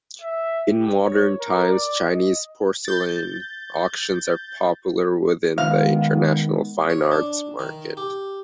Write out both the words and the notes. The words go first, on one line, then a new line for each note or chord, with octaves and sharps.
In modern times, Chinese porcelain auctions are popular within the international fine arts market.
E5
G4
C#5
A#4
D5
D#5
G6 A6
D#3 G#3 B3 F5
C#5
D4
D#3
G4